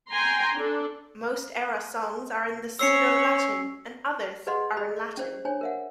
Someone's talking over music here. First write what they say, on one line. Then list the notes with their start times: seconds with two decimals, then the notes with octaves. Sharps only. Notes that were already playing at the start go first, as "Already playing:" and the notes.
Most Era songs are in Pseudo-Latin and others are in Latin.
0.11 G5 G#5 A#5 C6
0.57 D4 A4
2.79 C#4 C#5 E6 C7 C#7
4.47 G#4 B4 D5 D#5 F#5 C6
4.77 G#4 D#5 B5
5.17 C#4 C5 D5
5.45 D4 C5 C#5 G#5
5.61 A#4 E5 F#5